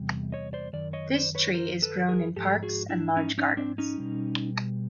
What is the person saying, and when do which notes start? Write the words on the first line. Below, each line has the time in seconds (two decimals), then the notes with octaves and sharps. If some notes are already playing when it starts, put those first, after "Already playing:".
This tree is grown in parks and large gardens.
Already playing: E2 C3 G3
0.32 C#5 D#5
0.53 C5 D5
0.73 F#2 D#3 D5
0.93 C#5 D#5
1.14 C5 D5
1.35 B4 C#5
1.54 A#4 C5
1.82 A4 B4
2.09 G#4 A#4
2.36 G#2 F3 G4 A4
2.63 F#4 G#4
2.89 D4 E4
3.17 C#4 D#4
3.38 C#4 D#4
3.57 C4 D4
3.78 C#4 D#4
3.98 B2 G3